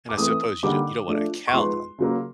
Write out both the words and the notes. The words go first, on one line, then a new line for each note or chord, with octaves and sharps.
And I suppose you don't you don't wanna count on
D6
E3 A3 C4 D#6
D3 G3 A#3 D#4 D6
F3 A3 D4
C#6
F3 G#3 B3 D#4 C6
C#3 F#3 A#3